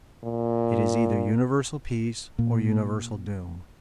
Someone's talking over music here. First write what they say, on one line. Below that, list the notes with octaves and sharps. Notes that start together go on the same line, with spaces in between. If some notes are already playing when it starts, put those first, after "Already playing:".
It is either universal peace or universal doom.
A#2
A#2